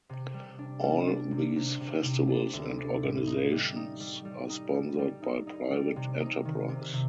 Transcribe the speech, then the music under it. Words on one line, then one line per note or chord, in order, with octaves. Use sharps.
All these festivals and organisations are sponsored by private enterprise.
C3
G3
D4
G3
D4
C3
C3
C3
C3
D4
D2
D4
A2
D#4
G3
D#4
G3
G3
D#4
G3
G3
D#4
D#4
G3
C3
D#4
D#3
C3
C3